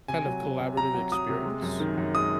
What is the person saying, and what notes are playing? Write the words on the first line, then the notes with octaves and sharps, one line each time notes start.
kind of collaborative experience,
C3 G#5
F#3
F#3
C3
C3 A#5
F#3
F#3 D#6
C3
G#3
F#2
D#3
F#2
G#3 D#6